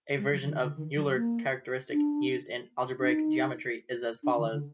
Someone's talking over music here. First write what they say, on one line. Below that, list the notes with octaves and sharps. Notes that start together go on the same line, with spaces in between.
A version of Euler characteristic used in algebraic geometry is as follows.
G#3
F#3
D#3
D3
D#3
F#3
A#3
D4
D4
D#4
D4
D#3
D3